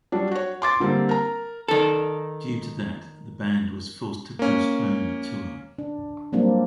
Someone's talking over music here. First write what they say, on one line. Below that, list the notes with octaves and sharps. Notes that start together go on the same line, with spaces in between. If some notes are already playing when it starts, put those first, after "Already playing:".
Due to that, the band was forced to postpone the tour.
F#3 G3 D4
F#4 C#5
C6 D6 A6
D3 G3 A#3 C4
A#4 A#5
D#3 A4
A#3 C#4
D4
F#3 G3 A#3 C4 D4